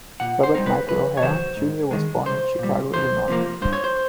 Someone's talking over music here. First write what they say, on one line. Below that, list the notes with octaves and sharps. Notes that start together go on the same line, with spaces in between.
Robert Michael O'Hare, Junior was born in Chicago, Illinois.
A#2 F#5
C5
G3 C4 D#4
B4
F2 B4
C#5
C3 D#3 F#3 C5
G#2
D#3 G#3
C2 C5
A#2
G3
E2 C5
C3 F3 A#3
G2 C5
C#5
C5